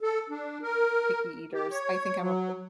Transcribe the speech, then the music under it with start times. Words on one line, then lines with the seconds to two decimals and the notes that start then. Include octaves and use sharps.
picky eaters, I think I'm a p
0.01 A4
0.30 D4
0.63 A#4
1.54 G4
1.71 C#5
2.20 F#3